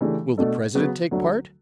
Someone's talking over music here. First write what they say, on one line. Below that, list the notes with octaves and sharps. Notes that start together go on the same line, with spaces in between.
Will the President take part?
C#3 E3 A3 D4 G4
B2 A3 D4 A4
C#3 F#3 B3 F#4
D2 D3 F#3 A3 D4